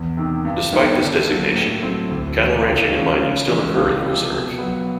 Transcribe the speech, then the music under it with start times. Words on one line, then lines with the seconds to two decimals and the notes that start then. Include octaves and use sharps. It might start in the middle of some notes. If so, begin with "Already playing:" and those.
Despite this designation, cattle ranching and mining still occur in the Reserve.
Already playing: E2
0.17 C3 D#3
0.45 G2
0.73 D#3 G3 B3
1.00 D3
1.27 F#3 A#3
1.55 A2
1.83 F#3 A3 C4 E4
2.10 D2
2.38 C3 E3
2.65 C#2
2.93 C#3 F3 G#3 C#4
3.20 C#3
3.48 E3 G#3 C#4
3.76 C#2
4.03 C3 F3
4.31 B2
4.58 F#3 B3